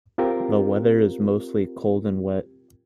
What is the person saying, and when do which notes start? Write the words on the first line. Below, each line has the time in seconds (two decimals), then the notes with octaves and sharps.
The weather is mostly cold and wet.
0.18 C4 F4 G4 A#4